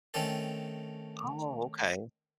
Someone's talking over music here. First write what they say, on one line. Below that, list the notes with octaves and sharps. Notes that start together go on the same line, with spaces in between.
Oh, okay.
D#3 A3 C4 C#4 A4